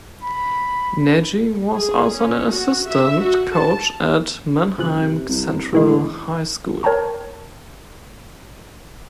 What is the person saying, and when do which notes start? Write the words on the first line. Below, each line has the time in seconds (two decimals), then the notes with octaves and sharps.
Nagy was also an assistant coach at Manheim Central High School.
0.23 B5
1.71 G#4
2.13 C#4
2.49 F#4
2.87 E5
3.19 F#4
3.53 A5
4.78 F#1 C#3 F3 F#6
5.01 C3
5.29 C2
5.73 A2 C3 E3 G#3
6.83 A#4 C#5 G5 A5 A#5 C#6